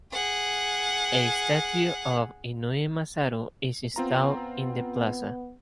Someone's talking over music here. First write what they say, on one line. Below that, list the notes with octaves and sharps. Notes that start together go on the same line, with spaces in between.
A statue of Inoue Masaru is installed in the plaza.
G#4 F#5
B3 C4 F4 A#5